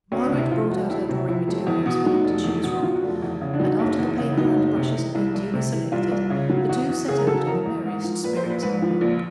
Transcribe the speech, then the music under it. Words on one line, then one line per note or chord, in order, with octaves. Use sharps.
Margaret brought out her drawing materials for him to choose from; and after the paper and brushes had been duly selected, the two set out in the merriest spirits in the world.
D2 C#4
D4
C3
E4
F3 F4
E1 F#4
D2 E4
C3
F3 E4
E1
E2
B2
F#3 D#4
F1
E2
B2
F#3 F4
F#4
F1
F4
E2
C#3
D4
F#3 D#4
F#1
E2
C#3
E4
F#3 D#4
F#1
C3
E3
C2 E4
C2
C3
E3
C2 F4
C2
C#3
F#3
E2 F#4
E2
C#3 G#4
A#4
F#3 A4
E2 A#4
E2
G#2
F3
A#1 B4
C5
A#1
B4
G#2 B4
F3
A#1